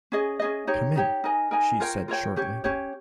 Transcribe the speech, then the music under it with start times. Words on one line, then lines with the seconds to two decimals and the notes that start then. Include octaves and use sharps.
"Come in," she said shortly.
0.12 C#4 G#4 D#5
0.39 C#4 G#4 D#5
0.67 D#4 G4 C#5
0.96 D#4 G4 C#5
1.24 D#4 A#4 D#5 G#5
1.51 D#4 A#4 D#5 G#5
1.80 F4 A#4 C#5 G5
2.08 F4 A#4 C#5 G5
2.36 C#4 G4 C#5
2.64 C#4 G4 C#5